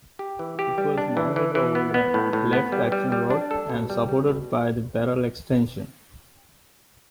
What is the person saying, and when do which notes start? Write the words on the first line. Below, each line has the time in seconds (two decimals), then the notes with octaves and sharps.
It was mounted over the left action rod and supported by the barrel extension.
0.19 G4
0.39 E3
0.59 G4
0.78 G3
0.98 D4
1.17 E3
1.36 E3
1.55 E3
1.75 B3
1.94 B3
2.14 A2
2.33 A2
2.53 B3
2.72 G3
2.92 G3
3.12 G3
3.30 D4
3.51 A4
3.70 B2
3.90 G3
4.09 G3
4.28 B2